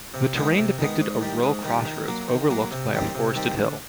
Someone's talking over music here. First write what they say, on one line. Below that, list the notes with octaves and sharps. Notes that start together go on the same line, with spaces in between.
The terrain depicted a rural crossroads overlooked by a forested hill.
C3
D#3 G#3 B3
C3
D#3 G#3 B3
G#2
D#3 G3
G#2
D#3 G3
D#3
F#3 A#3
D#3
F#3 A#3
C3
D#3 G3 C4
C3
D#3 G3 C4
D3